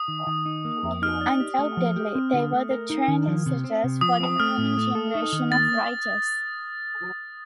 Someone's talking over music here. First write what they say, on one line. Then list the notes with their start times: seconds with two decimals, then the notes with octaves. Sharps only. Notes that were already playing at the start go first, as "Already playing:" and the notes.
Undoubtedly, they were the trend-setters for the coming generation of writers.
Already playing: D#6
0.08 D#3
0.27 D#3
0.46 D#4
0.65 A#3
0.83 F2
1.02 D#4 F6
1.21 D5
1.40 G4
1.59 A3
1.77 F3
1.96 G4
2.15 C4
2.33 D3
2.53 A3
2.71 A#4
2.90 D#4
3.08 D#3
3.27 F3
3.46 C3
3.64 C4
3.84 C3
4.01 F3 D#6
4.20 C4
4.40 A3 F6
4.58 A2
4.77 A3
4.95 A4
5.15 D#4
5.32 D#3
5.51 A#3 A6